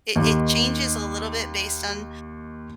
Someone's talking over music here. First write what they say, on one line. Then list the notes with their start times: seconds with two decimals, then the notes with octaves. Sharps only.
It it changes a little bit based on
0.16 D#2 D#3